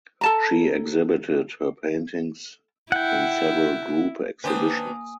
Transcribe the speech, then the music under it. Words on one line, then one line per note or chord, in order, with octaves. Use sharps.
She exhibited her paintings in several group exhibitions.
A4 A5 A#5
E4 F#5 G5
D#3 A#3 D4 B4 C5 G5 G#5 D#6